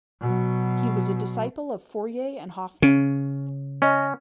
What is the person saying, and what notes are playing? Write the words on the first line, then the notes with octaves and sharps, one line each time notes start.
He was a disciple of Fourier and Hoffman.
B2 F#3
C#3 C#4
C#4 D#5